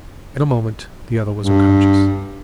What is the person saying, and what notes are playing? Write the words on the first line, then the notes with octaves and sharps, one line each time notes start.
In a moment the other was unconscious.
G2